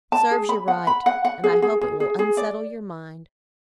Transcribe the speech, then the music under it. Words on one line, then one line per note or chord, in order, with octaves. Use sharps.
Serves you right; and I hope it will unsettle your mind.'
A5
G#4
B5
F#5
B5
F#5
F#5
G#4
G#4
G#4
G#4
G#4
D5